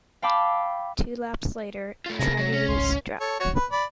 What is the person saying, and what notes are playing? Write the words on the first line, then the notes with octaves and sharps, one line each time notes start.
Two laps later, tragedy struck.
F5 G5 A5 B5 D6 E6
A3 F4
C3 G#4 A#4 A#6
F#3
C#4
G#1 C#2 C6
A4 C#5
F#4 C#5
B4
D5 B5